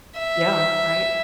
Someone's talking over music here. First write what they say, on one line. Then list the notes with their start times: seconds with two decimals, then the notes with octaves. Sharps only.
Yeah, right?
0.16 E5